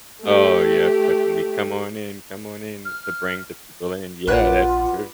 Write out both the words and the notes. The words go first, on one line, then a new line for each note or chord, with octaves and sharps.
Oh, yep, definitely, "Come on in come on in to bring the people in." Yeah, that's true.
A3 G4
F6
A#1 F4 B4 D5 F#5 F#6